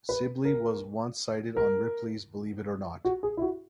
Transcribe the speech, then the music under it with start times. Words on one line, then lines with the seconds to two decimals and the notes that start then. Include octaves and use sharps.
Sibley was once cited on Ripley's Believe It or Not!
0.09 B4
0.45 A#4
1.57 A#4
3.05 F#4
3.23 G#4
3.37 E4
3.42 F#4